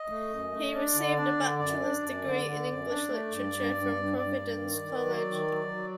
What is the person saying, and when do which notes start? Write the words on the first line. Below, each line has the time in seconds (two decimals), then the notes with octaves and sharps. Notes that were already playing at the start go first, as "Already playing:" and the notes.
He received a bachelor's degree in English Literature from Providence College.
Already playing: D#5
0.09 A3
0.30 F#2
0.51 A3
0.73 D4 D5
0.94 D3
1.17 D4
1.37 D3
1.59 F#2 D5
1.81 D4
2.02 F#2
2.24 D3
2.45 D3
2.67 F#2
2.89 D4
3.09 A3
3.32 G2
3.53 G2
3.74 G2
3.96 G2
4.18 G2 D5
4.39 G2
4.61 D#3
4.82 D#3
5.04 F#3
5.25 D#3
5.47 F#3
5.68 F#3